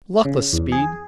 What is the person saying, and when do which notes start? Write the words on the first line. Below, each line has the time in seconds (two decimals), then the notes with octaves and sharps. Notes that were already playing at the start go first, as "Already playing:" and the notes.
Luckless speed!
0.25 C#3
0.53 E2
0.72 G#4